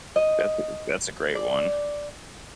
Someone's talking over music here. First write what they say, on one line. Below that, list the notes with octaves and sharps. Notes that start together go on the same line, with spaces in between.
That's a good that's a great one.
D#5
D5